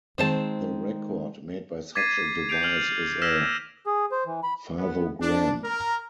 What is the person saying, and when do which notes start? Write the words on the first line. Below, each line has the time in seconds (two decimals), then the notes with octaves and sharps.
The record made by such a device is a fathogram.
0.18 D#3 G#3 C4 C5 A5
1.95 D6 G#6 A6 B6 C7 D#7
2.49 G6 G#6 C7 D7 F7
2.63 F6 F7 F#7
3.22 E6 F6 G#6 A#6 B6 E7
3.86 G#4
4.12 C5
4.26 E3
4.43 B5
4.78 B3
5.22 D4
5.63 A#4